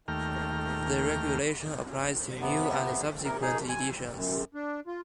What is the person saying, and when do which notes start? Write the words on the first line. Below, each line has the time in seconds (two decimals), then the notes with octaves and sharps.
The regulation applies to new and subsequent editions.
0.08 D#2 A3 G5 A#5 F6
2.41 C3 B3
3.25 C3 A#4
3.42 D#4 G#4
3.69 G#5
4.13 F#2
4.54 D4
4.87 F4